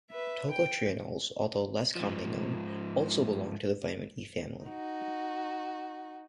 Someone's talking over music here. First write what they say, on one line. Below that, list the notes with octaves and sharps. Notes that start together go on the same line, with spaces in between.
Tocotrienols, although less commonly known, also belong to the vitamin E family.
B4 E5
G5
G#2 F3
D#4 F#4